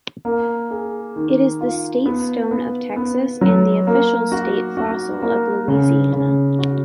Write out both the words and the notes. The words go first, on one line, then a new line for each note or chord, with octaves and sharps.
It is the state stone of Texas and the official state fossil of Louisiana.
A#3
G#4
D#3
F4
B3
B3
B3
F#3
A#3
F#4
F#4
A#3
C#3
C#3
F#4